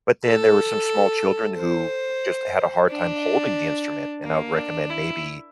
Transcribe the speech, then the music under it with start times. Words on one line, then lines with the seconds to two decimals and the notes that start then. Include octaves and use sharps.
but then there were some small children who just had a hard time holding the instrument, and I would recommend maybe
0.25 A4
1.57 C5
2.90 D4
4.24 A#3
4.56 D4
4.90 E4